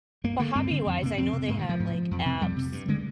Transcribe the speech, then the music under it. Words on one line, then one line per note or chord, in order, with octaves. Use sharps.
But hobby-wise, I know they have, like, apps
G2 A#3
D3 A#3
G2 C4
D3
F2
C3 A#3
F2 C4
C3
G#2 A#3
D#3
F3
G#2
F2
C3
F2 G3
C3
G2
D3 G#3